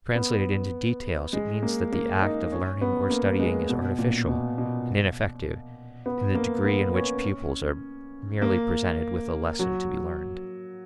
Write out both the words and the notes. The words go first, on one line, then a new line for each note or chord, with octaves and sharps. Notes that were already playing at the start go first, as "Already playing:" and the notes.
Translated into details, it means that the act of learning or studying is artificial and ineffective in the degree in which pupils are merely presented with a lesson to be learned.
B3
G#3
A#3
A#3
D#4
C#4
B3
A#3
G#3
B2
A#2
B2
B2
B3
A#3
B3
C#4
A#3
F#3